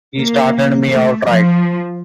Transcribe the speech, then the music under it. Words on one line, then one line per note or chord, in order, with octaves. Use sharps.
He started me out right.
A#3
A3
F3